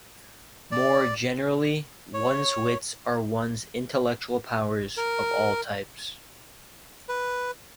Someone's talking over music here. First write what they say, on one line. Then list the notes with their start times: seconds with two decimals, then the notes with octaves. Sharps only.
More generally, one's wits are one's intellectual powers of all types.
0.72 D5
2.14 C#5
4.97 A#4
7.09 B4